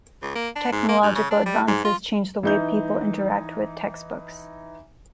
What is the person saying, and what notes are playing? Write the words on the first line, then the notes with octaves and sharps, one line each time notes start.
Technological advances change the way people interact with textbooks.
C#2
A#3
D4
G#2
A#3
G2
C#3
D4
G3
G#2
F4
E3 D#4 G6